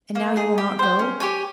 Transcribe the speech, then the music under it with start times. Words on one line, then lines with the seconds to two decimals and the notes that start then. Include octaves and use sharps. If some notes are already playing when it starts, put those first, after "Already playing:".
"And now you will not go?"
0.15 A#3
0.36 D#4 G#4
0.58 G4
0.79 C5 G5
0.99 C#4
1.20 G4 C#5 G#5